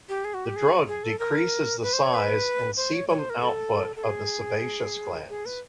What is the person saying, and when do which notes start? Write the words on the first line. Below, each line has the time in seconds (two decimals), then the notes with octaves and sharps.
The drug decreases the size and sebum output of the sebaceous glands.
0.09 G4
0.25 G#4
0.34 F#4
0.46 G4
0.56 G#4
0.88 G#4
1.04 A4
1.19 A#4
1.82 B4
1.93 C5
2.03 C#5
2.14 B4
2.77 C5
2.93 C#5
3.09 C#5
3.19 C5
3.30 A#4
3.41 A4
3.96 A4
4.03 G#4
5.30 G#4
5.46 B4